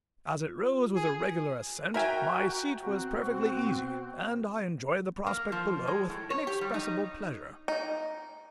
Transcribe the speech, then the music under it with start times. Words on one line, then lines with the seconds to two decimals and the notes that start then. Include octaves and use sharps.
As it rose with a regular ascent, my seat was perfectly easy, and I enjoyed the prospect below with inexpressible pleasure.
0.47 F4
0.96 G#4
1.94 F#4 A#4 E5 G5 G#5 A#5
2.82 B2 C4 F#4
5.27 A#3
5.52 F3
5.87 G#3
6.10 A2
6.30 C#5
6.47 G4
6.61 G3
6.74 D#4
7.68 D#4